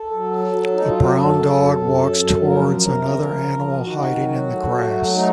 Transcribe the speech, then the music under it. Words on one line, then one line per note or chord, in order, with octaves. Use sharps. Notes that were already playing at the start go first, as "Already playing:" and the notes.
A brown dog walks towards another animal hiding in the grass.
Already playing: A4
F#3
F#3
D#4
F#3
F4
F#4
F#2 A4
F#2
F#2
F#2
F3 A#4
A#4
C3
F3
F3
D#3 F#4
F#3
A3
F#3
A3 D#4